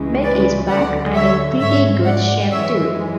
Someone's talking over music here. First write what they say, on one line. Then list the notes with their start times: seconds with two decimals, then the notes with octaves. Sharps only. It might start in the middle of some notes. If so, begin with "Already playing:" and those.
Beck is back, and in pretty good shape too.
Already playing: C#2 C#3 E3 G#3
0.23 B4 D5
0.70 D2 D3 F#3 D5 F#5
1.14 C#5 E5
1.60 G#2 G#3 C#5 E5
2.06 D5 F#5
2.52 F#2 E3 G#3 C#5 E5